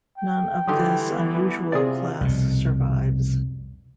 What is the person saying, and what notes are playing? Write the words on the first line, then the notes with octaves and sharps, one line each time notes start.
None of this unusual class survives.
G5
D3 E3 F#3 G3 G4 C6 D#6
B3
C3 F4 G#4 D5
C2 F2 B2